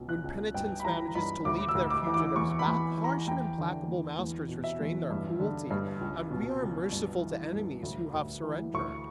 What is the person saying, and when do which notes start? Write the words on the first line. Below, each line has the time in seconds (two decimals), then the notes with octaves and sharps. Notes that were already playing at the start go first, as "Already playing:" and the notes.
When penitence manages to lead their fugitives back, harsh and implacable masters restrain their cruelty, and we are merciful to enemies who have surrendered.
Already playing: C#2 B2
0.09 F#6
0.24 C#2
0.54 G2 G5
0.80 B5
0.85 E3 A#5
1.15 G2 B5
1.45 D2 D6
1.69 E6
1.75 D2
1.90 D6
2.07 E3
2.14 D6
2.36 E2 C#6
2.59 B5
2.67 E2
2.97 E3
3.04 A#5
3.27 E2 G5
3.58 D3
3.88 E2
4.18 E2
4.49 B2
4.64 E5
4.80 E2
5.10 G2
5.40 D3
5.71 G2
6.01 C#2
6.31 B2
6.62 C#2
6.92 G2
7.22 E3
7.53 G2
7.83 D2
8.14 D2
8.44 E3
8.74 D2 C#6